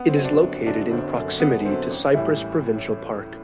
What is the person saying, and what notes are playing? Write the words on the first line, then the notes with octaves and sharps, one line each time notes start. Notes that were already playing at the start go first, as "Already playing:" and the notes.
It is located in proximity to Cypress Provincial Park.
Already playing: B3
C4
F#2 D3 F#3
D4
G1
F#2 D3 F#3 D4
G1 C4
F#2 D3 F#3
G1 B3
F#2 D3 F#3 C4
A1
A2 E3 G3 E4